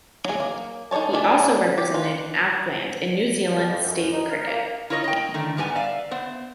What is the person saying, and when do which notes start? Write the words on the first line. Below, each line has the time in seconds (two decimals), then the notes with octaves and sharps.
He also represented Auckland in New Zealand State cricket.
0.25 F#3 G#4
0.40 A#3
0.91 D#4 G#4 A4 C#5 A5
1.13 D#3 A3 D4 G#4 D5
1.78 G4
1.94 F4 B4
3.56 F2
3.84 F#2
4.12 D#4
4.30 A#4
4.46 A#3
4.90 E4 F4 A#4 C#5 D#5
5.04 D#5 G5
5.34 D3 D#3 A3 E4
5.57 G#2 G3 B3 G#5
5.75 D5 E5 F5
6.11 B3 C5